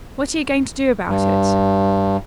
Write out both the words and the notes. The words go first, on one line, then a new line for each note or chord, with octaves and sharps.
"What are you going to do about it?"
G2